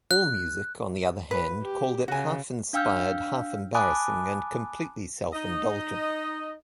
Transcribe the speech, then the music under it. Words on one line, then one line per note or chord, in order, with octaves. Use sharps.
AllMusic, on the other hand, called it half inspired, half-embarrassing and completely self-indulgent.
F#6
B4
G4
C#3 F#4 G#5
D4 F5 G5 E6 F6 G6
G#5 A5 B5 D6 D#6 F#6
D#4 D#5